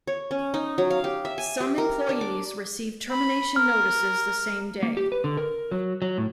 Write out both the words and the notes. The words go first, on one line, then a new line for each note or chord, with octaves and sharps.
Some employees received termination notices the same day.
C#5
C#4
D#4
F#3
F5
G4
E5
G#5
G4
A#4
D4
D6
B5
A#4 F6
A#3
G4
B4
D3
A#4
F#3
F#3
A2